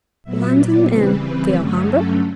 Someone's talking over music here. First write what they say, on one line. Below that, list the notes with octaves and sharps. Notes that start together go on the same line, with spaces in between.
'London and the Alhambra!'
A#2 F#3 B3 E5
D5
C#3 E3 G3 C4 B4
G2 D3 F#3 A3 C#4
A4